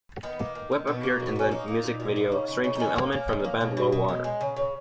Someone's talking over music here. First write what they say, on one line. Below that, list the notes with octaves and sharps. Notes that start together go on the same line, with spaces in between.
Webb appeared in the music video "Strange New Element" from the band Low Water.
D#3 B3
A#3
D#3
D#3
B2 B3
A#3
B2
B3
A#3
C#4
A#3 D#4
A#3
A#2
A#2
A#3
C#3
C#3
C#3
D#4
D#3 C#4
A#3
A#3
D#3
A#3
B2
B2
B2
G#3
G#3
C#3
C#3